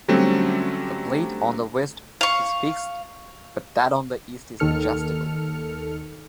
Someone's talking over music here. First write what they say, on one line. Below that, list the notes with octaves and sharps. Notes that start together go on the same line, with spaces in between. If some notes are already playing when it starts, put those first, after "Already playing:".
The plate on the west is fixed, but that on the east is adjustable.
D3 F#3 G3 A3 C4 C#4
F5 C#6
D#2 D#3 A4 F6 C#7